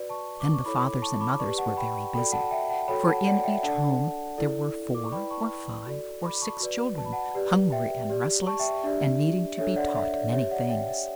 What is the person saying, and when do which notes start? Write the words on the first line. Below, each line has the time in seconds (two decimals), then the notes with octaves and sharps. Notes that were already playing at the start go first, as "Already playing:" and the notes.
Then the fathers and mothers were very busy, for in each home there were four or five or six children, hungry and restless, and needing to be taught many things.
Already playing: F#4 B4 D5
0.09 A5 C#6
0.40 D6
0.54 C#6
0.65 E4 A4 C#5 B5 D6
1.02 A5 C#6
1.21 B5 D6
1.39 D5 A5 C#6
1.42 G4 B4
1.58 F#5 A5
1.77 G5 B5
2.14 F#4 A4 D5 G5 B5
2.32 F#5 A5
2.51 E5 G5
2.70 F#5 A5
2.88 F#4 A4 C#5 G5 B5
3.07 F#5 A5
3.25 D5 F#5
3.44 E5 G5
3.63 D4 A4 D5 F#5 A5
4.38 E4 A4 D5
4.95 D6
5.04 C#6
5.12 E4 B4 D5 G5 B5
5.31 A5 C#6
5.86 F#4 A4 D5
6.23 B5 D6
6.41 A5 C#6
6.60 F#4 B4 D5
6.98 A5
7.06 B5
7.13 F#5 A5
7.35 G4 B4 D5
7.72 E5 G5
8.10 G4 D5
8.47 A5 C#6
8.60 E5 G5
8.84 D4 G4 D5 E5
9.58 D4 A4 C#5 E5
9.76 D5 F#5
9.95 E5
10.14 D5
10.33 G4 C#5 E5
10.51 D5 F#5
10.70 E5 G5
10.89 E5